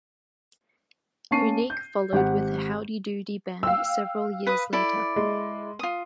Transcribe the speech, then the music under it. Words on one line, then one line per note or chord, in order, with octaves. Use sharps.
Unique followed with a Howdy Doody band several years later.
A#3 C#4 A5 C#6 C7 D#7
G6
G#1 G4 F#5
F5 G5 E6
B4 D#6
E4 A4 D5
G#3
F4 D#6